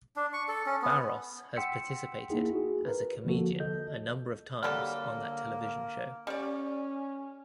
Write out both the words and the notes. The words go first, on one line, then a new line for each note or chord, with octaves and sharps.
Barros has participated as a comedian a number of times on that television show.
D4
C#6
A4
C#4
B3
F#5 G5 C6 E6 B6 C#7
A#3 D#4 E4 G#4
F#4 G#4
A#4 B4
D3 F3 A#3 F#4 A4
A4 D#5 G6
D3 F#3 G3 A#3 A4 F6
G3 C#4 D5